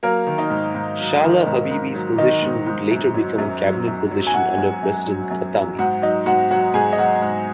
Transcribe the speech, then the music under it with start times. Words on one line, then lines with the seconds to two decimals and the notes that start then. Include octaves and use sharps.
Shahla Habibi's position would later become a cabinet position under President Khatami.
0.03 F#3 A#3 A#4
0.27 D#3
0.38 D#4 D#5
0.50 G#2
0.74 G#2
0.99 F#3
1.23 D#3
1.47 G#2
1.71 G#2
1.94 F#3
2.18 D#3 D#4 D#5
2.42 G#2
2.67 G#2
2.91 F#2
3.14 F#3
3.38 F#2
3.63 F#3
3.87 F#2
4.11 F#3
4.27 G#5
4.34 F#2 F#4 F#5
4.58 F#3
4.82 F#2
5.06 F#3
5.31 F#2
5.54 F#3
5.78 G#2 F#4 F#5
6.02 F#3 D#4 D#5
6.26 G#2 F#4 F#5
6.51 F#3 F#4 F#5
6.74 G#2 G#4 G#5
6.93 D#5
6.98 F#3 F#4 F#5
7.22 G#2